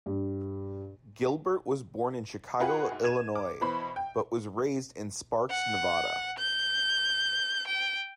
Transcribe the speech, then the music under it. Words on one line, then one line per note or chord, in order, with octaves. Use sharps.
Gilbert was born in Chicago, Illinois, but was raised in Sparks, Nevada.
G2
F4 F#4 G#4 B4 F#5 G5
G#2
G#6 D#7 E7
D6
B2 E3 C5 B5
G5
F#5
G6
G5